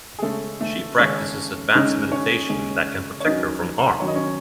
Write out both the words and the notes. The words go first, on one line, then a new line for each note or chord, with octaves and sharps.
She practices advanced meditation that can protect her from harm.
G#4
C#3 G#3 A3 C#4 A4
A3 A4
C#3 G#3 C#4 C#5
C#3 G#3 C#4 D#4 D#5
C#4 C#5
C#3 G#3 C#4
C#5
D#3 F#3 C#4 D#4 D#5
D#3 F#3 C#4 C#5
D#5
C#4 C#5